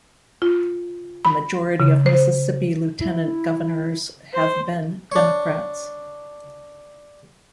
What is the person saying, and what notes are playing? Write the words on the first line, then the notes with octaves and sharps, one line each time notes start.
The majority of Mississippi Lieutenant Governors have been Democrats.
F4
B5
C#3
C5
E4
C5
D4 C#5